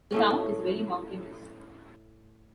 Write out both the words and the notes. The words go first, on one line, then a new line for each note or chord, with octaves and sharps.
The town is very mountainous.
A2 A3 C#4